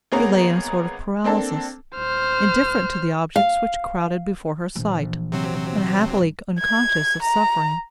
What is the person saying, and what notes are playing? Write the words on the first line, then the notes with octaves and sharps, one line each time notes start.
She lay in a sort of paralysis, indifferent to the objects which crowded before her sight, and happily unconscious of suffering.
G#1 A#3 B3 G#4 C#5 A#5
A#3 C4 D4 A4
D#1 C5 F6
F5
A#1 E3
C3 F#3 C4
G2
G#6
A#5